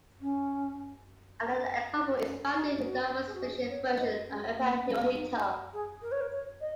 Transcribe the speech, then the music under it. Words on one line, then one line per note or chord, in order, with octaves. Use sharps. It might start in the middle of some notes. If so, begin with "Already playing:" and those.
Another example is found in the novel's fictional version of Emperor Hirohito.
C#4
D#4
C#4
D#4
F#4
G#4
F#4
G#4
C#5
D#5
C#4
A#3
C#4
D#4
G#4
A#4
C#5
A#4
C#5
D#5